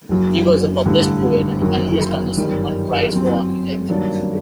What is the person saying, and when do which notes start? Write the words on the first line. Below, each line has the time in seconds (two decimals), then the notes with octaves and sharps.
He was a published poet and a panellist on the Sulman Prize for Architecture.
0.09 F#1 F#2 F#3
0.85 A1 G2 D3
1.61 F#1 F#2 D#3 F#3
2.37 G1 F#2 D#3 G3
3.12 F#2 F#3 C4
3.89 G2 D#3 F#3 A#3 D4